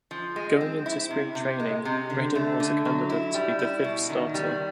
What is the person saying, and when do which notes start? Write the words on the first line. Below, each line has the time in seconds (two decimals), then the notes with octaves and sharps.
Going into spring training, Redding was a candidate to be the fifth starter.
0.11 F3
0.36 G#3
0.61 C4
0.86 E4
1.10 C3
1.35 C3
1.60 G#3
1.85 C3
2.10 D3
2.35 A3
2.60 D3
2.85 F#3
3.10 E4
3.34 G3
3.59 E4
3.84 B2
4.10 D#3
4.34 G3